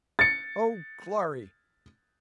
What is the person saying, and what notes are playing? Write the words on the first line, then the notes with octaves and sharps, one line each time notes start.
Oh, glory!
A6 C#7